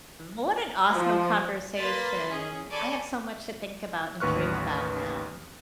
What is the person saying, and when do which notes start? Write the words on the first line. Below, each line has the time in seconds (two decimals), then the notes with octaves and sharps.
well what an awesome conversation. I have so much to think about and dream about now.
0.93 F3
1.76 A#3 B4 C6 A6 B6
2.29 C#4 G#4
2.70 A4 C#5 D5 G#5 B5 D6
4.20 A1 D#2 B4 C#6 F6 F#6